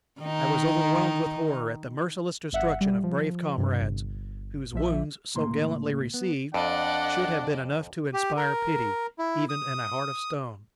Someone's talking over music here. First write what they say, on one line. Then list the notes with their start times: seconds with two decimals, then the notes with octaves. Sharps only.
I was overwhelmed with horror at the merciless destruction of brave comrades, whose wounds, so gallantly received, should have been enough to inspire pity even in a heart of stone.
0.21 D#3 D#4
2.53 G1 E5 F#5
2.81 G3
3.04 F3
3.57 G2 C3
3.81 G1
4.73 A#1 F3 E5
5.35 C#2 A2 A#3 C6
6.14 B3
6.54 F2 D4 D5 D#5 F#5
8.14 G4
8.37 A#4
9.19 E4
9.49 D#6